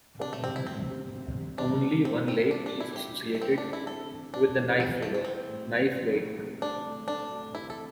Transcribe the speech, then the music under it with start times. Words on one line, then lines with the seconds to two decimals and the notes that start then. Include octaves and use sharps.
Only one lake is associated with the Knife River: Knife Lake.
0.21 C3 D4
0.33 A3
0.44 C3 C4
0.56 E4
0.67 D2 C4
0.90 C3
1.13 D2
1.36 G3
1.58 G3 D4
1.81 D2
2.04 G3 C4
2.27 G3 C4
2.50 G3 D4
2.66 D4
2.73 D3
2.80 E4
2.96 D3 G4
3.19 G3
3.35 A3
3.42 A1 C4
3.58 D4
3.65 D3
3.73 E4
3.87 C4 A4
4.11 E3
4.33 D4 E4
4.57 E3
4.80 E3 C4
5.02 A3 E4
5.14 A3
5.25 C4 E4
5.47 A2
5.71 D2
5.94 D2
6.17 D2
6.40 C3
6.62 C3 D4
6.86 A3
7.08 A3 D4
7.31 D2
7.54 C3 E4
7.70 A4